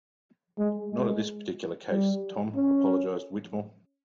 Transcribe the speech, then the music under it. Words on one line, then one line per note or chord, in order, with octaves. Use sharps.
Not at this particular case, Tom, apologized Whittemore.
G#3
G#3
G3
C#4